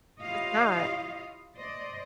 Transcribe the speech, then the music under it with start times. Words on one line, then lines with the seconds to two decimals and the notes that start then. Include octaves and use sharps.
it's not.
0.21 E4 F4 G4 C#5 D#5 F5
1.56 C5 D5 D#5